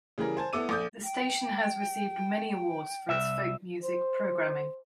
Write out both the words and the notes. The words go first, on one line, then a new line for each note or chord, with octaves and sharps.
The station has received many awards for its folk music programming.
C#3 E3 G3 G#4 A#4
C5 G#5 A5
B3 E4 A4 D6 E6 D#7
A#1 A3 D6 D#6 G6
G5
C2 E5
C5